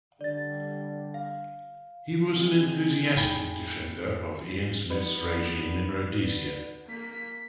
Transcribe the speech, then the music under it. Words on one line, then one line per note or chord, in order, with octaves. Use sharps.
He was an enthusiastic defender of Ian Smith's regime in Rhodesia.
D3 G3 D5 A6
F5
G#3 C4
F2 A2 D#4 G5 B5
B3 D#4 B4 D5
A#3 B6